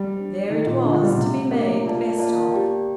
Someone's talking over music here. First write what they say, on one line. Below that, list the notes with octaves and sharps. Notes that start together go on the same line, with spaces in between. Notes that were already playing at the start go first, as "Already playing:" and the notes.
There it was, to be made the best of!
Already playing: G3
D4 G4 C5
D#3 D#4 A4 D#5 G5
A#2
D3 D#4 A4 D#5 G5
F3
G3
A#2
C3 A3 D4 G4
A3 A#3 D4 G4
F4 A#4 D5 F5 A5
A#3 F4 A#4 D5 F5 A5
G4 D5 G5